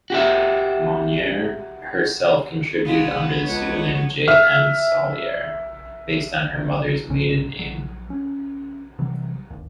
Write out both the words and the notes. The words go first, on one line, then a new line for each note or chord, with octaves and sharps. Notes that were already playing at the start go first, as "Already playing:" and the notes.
Monnier herself contributed under the pseudonym J-M Sollier, based on her mother's maiden name.
F#4 G4 E5
G#3 B3 F#4 F5
C#2 B4 C#5 C#6
E5 F6
B1 G#2 C#4
A#1 D#2 F#3
C#4
C3 E3 F#3 G3
D1 G1 D#2